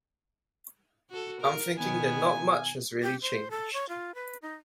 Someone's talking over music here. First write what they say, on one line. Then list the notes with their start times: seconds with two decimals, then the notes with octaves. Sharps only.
I'm thinking that not much has really changed.
1.10 F#4 A4
1.41 A#4
1.78 B2 D#3 B3 G#5
3.03 G4
3.22 C5
3.51 A4
3.73 C#5
3.89 F4
4.15 B4
4.42 D#4